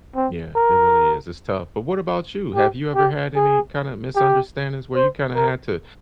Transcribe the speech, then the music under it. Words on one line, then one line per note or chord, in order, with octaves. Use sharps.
Yeah, it really is. It's tough. But what about you? Have you ever had any kind of misunderstandings where you kinda had to
C4
A#4
G4
G4
G#4
G4
C5
A#4